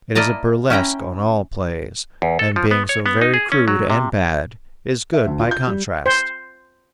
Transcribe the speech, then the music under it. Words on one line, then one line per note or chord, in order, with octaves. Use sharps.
It is a burlesque on all plays, and being so very crude and bad, is good by contrast!
A#3 E4 D5 D#5 A5 A#5
C#4 E4 G5 A#5
E2
A4
F3
B3
C#5
B3
D#4
G#4
C#4
F#3
C3
E5
D2
F4
G6
G3
C5